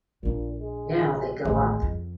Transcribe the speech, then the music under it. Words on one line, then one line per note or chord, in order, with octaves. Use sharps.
Now they go up.
A#1 A#2 D4
G#3
A1 D#2 G#3
F2